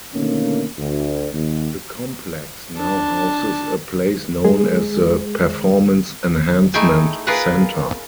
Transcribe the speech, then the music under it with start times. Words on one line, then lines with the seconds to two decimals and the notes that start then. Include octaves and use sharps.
The complex now houses a place known as the Performance Enhancement Center.
0.15 B2 D3 D#3 A3 A#3 C#4
0.78 D2
1.33 D#2
2.78 D4 A5
4.45 G#3 G#4
6.74 A3 D#4 E4 G#4 G5 G#5
7.27 F4 G#4 A#4 B4 F5 F#5